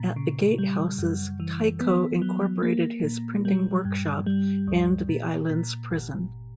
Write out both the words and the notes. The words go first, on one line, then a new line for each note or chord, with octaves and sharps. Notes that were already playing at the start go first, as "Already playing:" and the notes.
At the gatehouses, Tycho incorporated his printing workshop and the island's prison.
Already playing: A#2
C#3
G3
F#2
E3
B3
F#3
A#3
A#2
G3
G2
G3
D2
A#2
A#2
G1